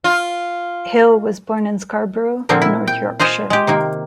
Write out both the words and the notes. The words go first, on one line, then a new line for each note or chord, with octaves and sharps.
Hill was born in Scarborough, North Yorkshire.
F4
A#2 D3 F3 A#3 C4
E4
G5
F4 C5 D#5 G#5
G#3 G4
C3 D#3 A#3